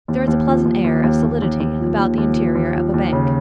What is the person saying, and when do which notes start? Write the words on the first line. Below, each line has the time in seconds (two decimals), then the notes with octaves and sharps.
There is a pleasant air of solidity about the interior of a bank.
0.08 D#2
0.28 D#2
0.47 F3
0.65 D#2
0.84 D#2
1.04 D#2
1.23 D#2
1.42 D#2
1.60 D#2
1.80 F3
1.98 D#2
2.18 D#2
2.36 F3
2.55 D#2
2.75 F3
2.94 D#2
3.12 C#3